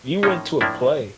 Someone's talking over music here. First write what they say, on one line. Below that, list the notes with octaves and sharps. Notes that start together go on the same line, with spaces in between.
you went to a play.
A2 F3 A#3 C#4 D#4
A2 F3 A#3 D4 E4